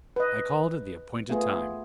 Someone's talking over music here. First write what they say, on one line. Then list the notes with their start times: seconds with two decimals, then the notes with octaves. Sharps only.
I called at the appointed time.
0.16 B4 D#5
1.30 A3 B3 F4 G#4